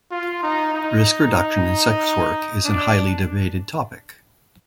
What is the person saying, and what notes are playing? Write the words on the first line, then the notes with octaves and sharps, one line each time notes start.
Risk reduction in sex work is a highly debated topic.
F4
D#4
D#4
D4